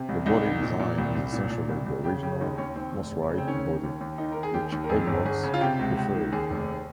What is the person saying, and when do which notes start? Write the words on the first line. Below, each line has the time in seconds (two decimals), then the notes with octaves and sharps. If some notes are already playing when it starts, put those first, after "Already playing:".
The body design is essentially the original Mosrite body, which Edwards preferred.
Already playing: C3
0.09 C2
0.26 C2 D#4
0.44 D#3
0.62 A#2
0.79 A#2
0.98 C2
1.15 C2
1.33 A#2
1.51 A#2
1.68 C2
1.86 C2
2.04 C#3 G4
2.23 C#3 G4
2.41 D#2 D#4
2.57 D#2 C#4
2.76 D#2 C4
2.94 F1
3.11 F1
3.30 C#3
3.38 C4
3.47 D#3 C#4
3.65 D#3
3.83 D#2
4.01 D#2
4.18 D#3 D#4
4.32 D#3 A#4
4.43 G#4
4.54 D#2 G4
4.72 D#2
4.84 A#4
4.89 F2 G#4
5.07 G1
5.25 G1 G#4
5.43 C#3
5.54 F4
5.61 C3 G4
5.79 C#2
5.97 C#2
6.15 D#3
6.32 D#2 G#4
6.50 F1